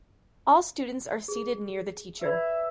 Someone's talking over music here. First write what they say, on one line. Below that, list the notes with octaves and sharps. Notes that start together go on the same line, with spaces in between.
All students are seated near the teacher.
G#4
B4 D5 E5 B5